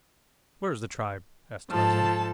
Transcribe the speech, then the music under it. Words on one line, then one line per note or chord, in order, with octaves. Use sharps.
"Where is the tribe?" asked Tarzan.
G#2 F3 A4 A5